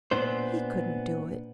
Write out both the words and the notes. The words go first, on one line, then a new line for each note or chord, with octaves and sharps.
He couldn't do it.
A#2 B3 D4 C5